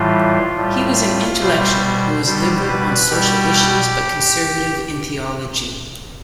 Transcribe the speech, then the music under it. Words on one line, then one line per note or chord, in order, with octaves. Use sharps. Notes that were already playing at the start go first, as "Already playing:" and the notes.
He was an intellectual who was liberal on social issues, but conservative in theology.
Already playing: A2 E3 G3 F4
A2 G3
B2 G3 C5
B2 G3 C5
B4
B2 G3 G4